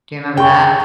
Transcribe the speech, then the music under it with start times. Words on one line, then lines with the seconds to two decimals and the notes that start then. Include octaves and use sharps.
do you remember that?
0.37 G#4 G5 C#6